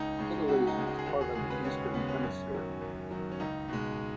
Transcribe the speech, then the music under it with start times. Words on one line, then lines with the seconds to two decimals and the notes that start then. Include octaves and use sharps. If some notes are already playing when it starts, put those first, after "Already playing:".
Italy is part of the Eastern Hemisphere.
Already playing: C#2 D#4
0.19 C#3 G#3
0.48 C#2 F#4
0.67 D#4
0.77 C#3 G#3
0.87 D#4
0.99 G#4
1.06 D#2 F#4
1.21 G#4
1.35 C#3 G#3 G#4
1.50 B4
1.64 D#2 C#4
1.94 C#3 G#3 B3
2.08 C#4
2.23 F#2
2.52 D#3 F#3
2.81 F#2
3.11 D#3 F#3
3.31 C#4
3.40 C#2 D#4
3.69 B2 G#3